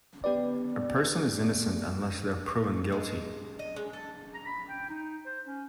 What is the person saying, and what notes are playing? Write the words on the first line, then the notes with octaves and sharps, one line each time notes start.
A person is innocent unless they are proven guilty.
B3 G4 B4 D5
G#3
D#5
G#3
A4
A#5
B5
G5
D#4
C5
C#4